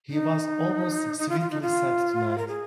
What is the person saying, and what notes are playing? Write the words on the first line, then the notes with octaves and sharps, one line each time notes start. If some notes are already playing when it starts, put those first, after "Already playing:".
He was almost sweetly sad tonight.
D#4
D#4
F4
F4
D#4
F4
A#4
G#4